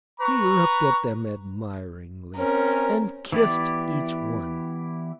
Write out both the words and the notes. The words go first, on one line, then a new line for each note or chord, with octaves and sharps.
He looked at them admiringly, and kissed each one.
B4 A#5 C#6
C4 C#4 A#4
E3 B3 E4 G4 D5